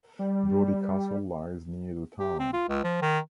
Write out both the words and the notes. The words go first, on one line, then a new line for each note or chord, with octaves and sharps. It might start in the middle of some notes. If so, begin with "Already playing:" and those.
Brodie Castle lies near the town.
G3
G4
C4
F4
C#2
F3
D#3